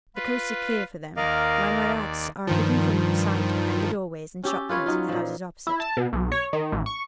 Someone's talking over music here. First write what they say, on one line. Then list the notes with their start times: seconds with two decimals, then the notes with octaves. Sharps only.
The coast is clear for them--my Marats are hidden from sight behind the doorways and shop-fronts of the houses opposite.
0.16 F4 B4
1.17 D#2 A#4 D5 D#5 F5
2.47 G2 D#3 F3
4.43 C#4 G4 A4
4.69 F4 B4 C#5 F5
4.86 F#3 D#4 F4
5.09 A#2 F3
5.67 E4
5.80 A5
5.97 B2
6.13 B1
6.32 C#5
6.53 D#3
6.72 A1
6.86 C#6